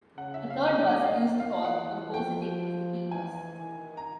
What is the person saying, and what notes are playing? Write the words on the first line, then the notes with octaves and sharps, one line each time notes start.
A third bus used for compositing is the "key bus".
C#3 F#5
E5
F5
D3 D#5
D5
D#5
F5
D#3
F5
E3 F#5
F3 G5
E3 G#5
D#3
A#5